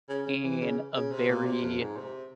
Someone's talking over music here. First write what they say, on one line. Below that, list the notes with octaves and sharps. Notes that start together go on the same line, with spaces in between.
in a very
C#3
C#3
E3
C#3
C#3
C3
A#2
C3
F2
G#2
C3